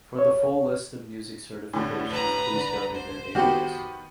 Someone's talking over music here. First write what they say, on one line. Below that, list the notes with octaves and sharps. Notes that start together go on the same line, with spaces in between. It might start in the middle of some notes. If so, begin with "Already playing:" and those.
For the full list of music certifications, please go to their database.
C#5
A2 D3 G3
B4 A#5
D3
C5
D#3 B3 F#4 G4